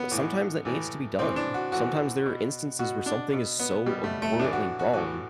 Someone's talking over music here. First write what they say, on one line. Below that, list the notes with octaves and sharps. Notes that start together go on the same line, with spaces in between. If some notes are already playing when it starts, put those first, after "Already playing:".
but sometimes that needs to be done, sometimes there are instances where something is so abhorrently wrong
Already playing: B3
A2 E3
A2 E3
A2 E3 C4
D4
F#4
A2 E3 F#4
B2
B2 F#4
D4
B2
B3
B2 G3
A3
A3
A2 E3 D4
F#4
F#4
A2 E3 F#4